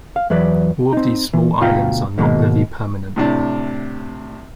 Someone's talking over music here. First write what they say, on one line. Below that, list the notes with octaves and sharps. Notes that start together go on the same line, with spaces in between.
All of these small islands are not very permanent.
F5
E2 E3 F#3 B4 D5
C4 D#4
E3
D2 B2 F4 F5 G5 A#5
G#2 B2 D#3 G#3 A#3
A2 C3 D4